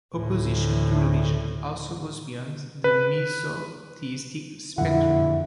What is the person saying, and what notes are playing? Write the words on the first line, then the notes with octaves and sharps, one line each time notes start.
Opposition to religion also goes beyond the misotheistic spectrum.
D2 A2
B4
F2 A#2 D3 E4 F#5